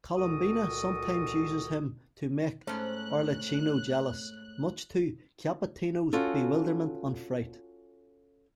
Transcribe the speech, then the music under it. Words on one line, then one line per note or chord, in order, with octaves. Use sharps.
Columbina sometimes uses him to make Arlecchino jealous, much to Capitano's bewilderment and fright.
C#2 A#2 F#4 A4 A#4 D#6
G#2 A3 C#4 C5 A5 F#6
C#4 F4 F#4 A4